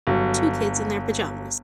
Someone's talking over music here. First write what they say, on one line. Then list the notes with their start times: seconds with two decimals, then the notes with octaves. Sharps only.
Two kids in their pajamas.
0.07 G1 F#3